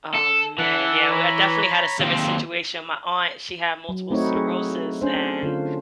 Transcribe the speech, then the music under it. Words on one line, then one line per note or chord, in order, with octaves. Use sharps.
Oh, man, yeah, well, I definitely had a similar situation, my aunt, she had multiple sclerosis and,
A4
E3 F#5 A5
C#5 A#5 B5
D#2 C4
F#3
A3 C4 D#4 E4 F#4 C#5
G#4
C#4 D4 C5
C#4
D3 F4